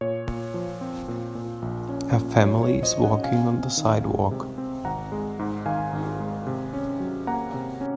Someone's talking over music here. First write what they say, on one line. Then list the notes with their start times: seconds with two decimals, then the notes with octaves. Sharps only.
A family is walking on the sidewalk.
0.01 A#2 C#5
0.27 A#2
0.54 F3
0.81 C4
1.08 A#2
1.35 A#2
1.62 A#1
1.89 C#4
2.15 A#2
2.43 F#3 C#5
2.63 C#5
2.70 A#1
2.83 C5 D#5
2.97 C#4
3.03 D#5 F#5
3.24 C3 F5 G#5
3.50 C4
3.77 D#3
4.04 G#3
4.31 C3
4.58 C4
4.85 G#1 F#5 A#5
5.12 G#3
5.39 G#2
5.66 D#3 F5 G#5
5.93 G#1
6.20 G#3
6.47 C3
6.73 C#4
7.00 F#3
7.27 A#3 F#5 A#5
7.54 C3
7.81 C#4